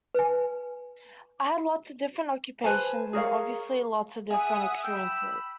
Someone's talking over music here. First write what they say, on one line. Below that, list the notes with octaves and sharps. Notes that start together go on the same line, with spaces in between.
I had lots of different occupations and obviously lots of different experiences.
B4 G#5
B4 C5 G#5 A5
G#4 A#4 C#5 F5
G#4 E5 F#5 D#6
G5 B5 E6